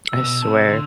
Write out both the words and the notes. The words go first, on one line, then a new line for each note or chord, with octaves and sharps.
I swear
E6
B2
E7
C3 A5
C6
D3